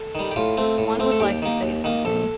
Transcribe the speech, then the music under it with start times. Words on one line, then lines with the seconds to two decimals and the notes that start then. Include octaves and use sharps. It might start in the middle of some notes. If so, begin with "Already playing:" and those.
One would like to say something.
Already playing: A4
0.15 D#3 G3
0.31 G4
0.36 A2 F4
0.57 A3 C4
0.78 A2
1.00 A3 C4
1.12 A4
1.20 D#2 G4
1.42 D#3 A#3
1.63 D#2
1.84 D#3 A#3
2.05 A#1 A4